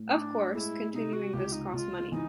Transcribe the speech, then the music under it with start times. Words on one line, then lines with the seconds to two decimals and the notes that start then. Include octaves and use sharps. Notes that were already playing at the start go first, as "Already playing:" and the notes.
Of course, continuing this costs money.
Already playing: A2
0.14 A2 D4
0.54 G#3 E4
0.93 C3 D#4
1.13 F#4
1.33 C#2 G4
1.52 D#4
1.72 C#2 F4 F#4
2.12 E3 D#4